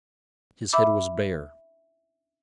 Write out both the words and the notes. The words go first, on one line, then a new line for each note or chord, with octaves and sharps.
His head was bare.
E5 B5 D6 E6